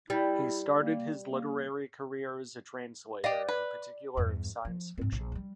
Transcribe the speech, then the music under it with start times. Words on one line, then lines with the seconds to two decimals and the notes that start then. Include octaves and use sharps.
He started his literary career as a translator, in particular, of science fiction.
0.10 G3 E4
0.76 A#3
1.27 A#3
3.24 G4 D5 D#5 F5
3.48 B4
4.17 E2 G2
4.65 F3
4.98 G#2 C4
5.12 A#1
5.32 E3 G3